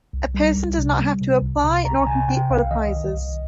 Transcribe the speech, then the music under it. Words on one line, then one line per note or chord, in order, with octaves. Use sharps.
A person does not have to apply nor compete for the prizes.
C2
G3
C2
C3
G3
C3
C2
C3
C2 A#5
C3 G#5
C3 G5
C2 F5
D#3 D#5
C2
C2